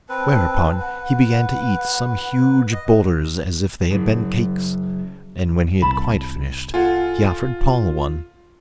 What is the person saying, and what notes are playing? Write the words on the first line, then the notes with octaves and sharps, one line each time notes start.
Whereupon he began to eat some huge boulders as if they had been cakes, and when he had quite finished, he offered Paul one.
C4 B4 A5
B4 F#5
D#5
F#1
C2 E4 A5 B5
F4 A4 F#5 G#5